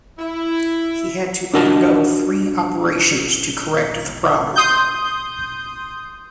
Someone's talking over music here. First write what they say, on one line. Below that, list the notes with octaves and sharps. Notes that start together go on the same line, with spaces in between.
He had to undergo three operations to correct the problem.
E4
D4 F#4 A#4 D#5 A5
C6 D#6 G6